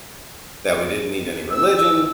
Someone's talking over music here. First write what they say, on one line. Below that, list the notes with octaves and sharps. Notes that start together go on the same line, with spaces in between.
that we didn't need any religion,
E6